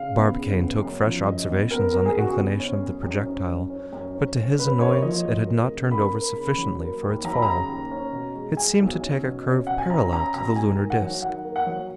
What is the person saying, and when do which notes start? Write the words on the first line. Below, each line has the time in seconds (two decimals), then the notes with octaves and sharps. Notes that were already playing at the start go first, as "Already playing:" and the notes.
Barbicane took fresh observations on the inclination of the projectile, but to his annoyance it had not turned over sufficiently for its fall; it seemed to take a curve parallel to the lunar disc.
Already playing: C#3 F5
0.16 B3
0.38 C#3
0.60 B3
0.82 F#2
1.04 F3
1.26 F#2 D#5
1.49 B3
1.71 B3 A#4
1.93 B3 A#4
2.06 G#4
2.15 C#3 F#4
2.29 G#4
2.37 B3
2.60 C#4
2.82 F#2
3.03 F#2
3.26 C#4
3.48 F#2
3.70 C#4
3.93 F#2
4.15 C#4
4.36 C#4
4.59 F#2 B4
4.81 A#3 C#5
5.02 F3 D#5
5.25 F#3
5.47 A#3
5.70 C#3
5.91 A#3 B5
6.14 A#3
6.36 C#3
6.58 F#3
6.80 A#3
7.03 D#2
7.24 F#3 A#5
7.33 B5
7.42 C#3 A#5
7.69 D#2
7.91 C#4
8.12 B2
8.35 G#3
8.57 G#3 G#5
8.79 B1
9.01 C#4
9.24 B2
9.46 C#4
9.67 B2 F#5
9.78 G#5
9.90 C#4 A#5
10.12 C#4 A#5
10.34 B2 A#5
10.56 G#2 G#5
10.78 D#3
10.90 F#5
11.01 F#3
11.22 D#3 F#5
11.45 A#3
11.56 F#5
11.66 F#3